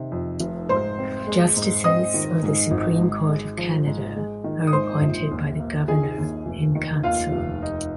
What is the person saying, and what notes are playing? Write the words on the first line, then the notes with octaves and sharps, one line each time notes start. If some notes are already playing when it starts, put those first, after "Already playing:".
Justices of the Supreme Court of Canada are appointed by the Governor-in-Council.
Already playing: C3 D#3
F2
F1
G#2 C5 C6
C4
G#3
G#2
C4 D#5 D#6
D#3
G#2
G#1
G#2
G#3
F3
G#2
G#3
D#3
D#6
G#2 C5 C6
A#1
D#2
A#3
D#3 G#4 G#5
D#2
F1
D#3
D#2 F4 F5
F1
D#4